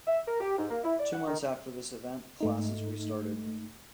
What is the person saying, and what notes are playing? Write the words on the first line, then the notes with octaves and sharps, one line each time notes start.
Two months after this event, classes restarted.
E5
A#4
G4
G#2
A#3
E4
D5
F#5
D#3
G#2 A3 D#4